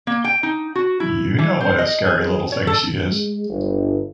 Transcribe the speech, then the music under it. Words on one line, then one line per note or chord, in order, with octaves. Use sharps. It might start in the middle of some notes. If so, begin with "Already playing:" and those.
You know what a scary little thing she is.
A#3
G5
D#4
F#4
E4
E3
C5
D#5
G#4
C#5
A4
G#3
G1